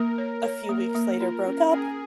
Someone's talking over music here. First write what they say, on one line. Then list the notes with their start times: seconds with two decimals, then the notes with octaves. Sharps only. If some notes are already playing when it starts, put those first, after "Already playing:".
a few weeks later broke up.
Already playing: A#3 A#4
0.18 C#5
0.44 C#5
0.69 A#3
0.95 A#3
1.20 F4
1.46 C#4
1.71 C#4 G#4